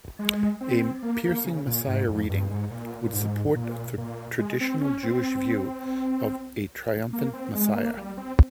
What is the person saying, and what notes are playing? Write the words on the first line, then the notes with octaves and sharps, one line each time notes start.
A "piercing messiah" reading would support the traditional Jewish view of a triumphant messiah.
G#3
C4
A#3
A#3
C#3
A#2
G#2
F2
G2
G#2
A#2
A#2
G#2
A#2
A#2
G#3
C4
C#4
C4
A#3
C4
G#3
A#3
G3
C4